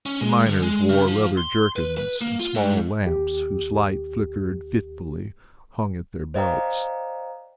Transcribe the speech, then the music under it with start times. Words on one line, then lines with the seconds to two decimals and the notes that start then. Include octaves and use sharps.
The miners wore leather jerkins, and small lamps, whose light flickered fitfully, hung at their belts.
0.06 C#4
0.21 G#3
0.46 D3
0.62 G#3
0.89 C#3
1.08 F3
1.37 C6
1.76 B4
1.97 B4
2.21 A#3
2.40 F4
2.55 G#2
3.05 D#2 G4
6.34 C5 D5 D#5 F5 G5 A#5